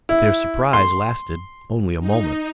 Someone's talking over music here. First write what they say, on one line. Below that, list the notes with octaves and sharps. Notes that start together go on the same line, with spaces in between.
But their surprise lasted only a moment.
E4
C6
D#4